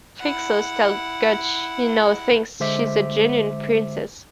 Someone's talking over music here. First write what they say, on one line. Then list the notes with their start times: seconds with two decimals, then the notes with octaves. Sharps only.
Frixos tells Gutch he now thinks she's a genuine princess.
0.20 E4 F#5
2.60 D3 G#3 C5 E5 D6 B6